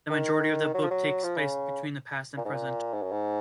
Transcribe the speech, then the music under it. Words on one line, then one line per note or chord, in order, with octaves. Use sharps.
The majority of the book takes place between the past and present.
D#3
F#3
F3
F#3
F3
C#3
A#2
G#2
A#2
G#2
F#2
G#2